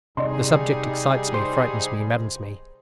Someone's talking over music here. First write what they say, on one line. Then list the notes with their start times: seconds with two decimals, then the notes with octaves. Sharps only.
The subject excites me, frightens me, maddens me.
0.17 C3 G3 D#4 G#4 D5 D#5 C6
1.34 C5